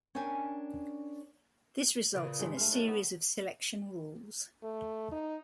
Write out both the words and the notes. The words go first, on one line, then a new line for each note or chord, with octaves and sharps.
This results in a series of selection rules.
C#4 D4 A#4 G5 G#5
A#2 C#3 B4 D5
G2 G#3
A3 F5
A2 D#3 D4
B3
A3
D#4